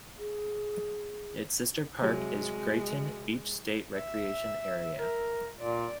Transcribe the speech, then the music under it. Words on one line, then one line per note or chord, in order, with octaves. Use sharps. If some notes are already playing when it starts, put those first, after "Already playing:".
Its sister park is Grayton Beach State Recreation Area.
G#4
C2 C3 F#3 G#3
E5
A#4
A#2 D5